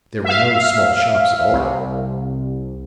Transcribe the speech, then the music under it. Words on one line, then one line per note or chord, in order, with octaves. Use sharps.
There were no small shops at all.
E5 F5
C2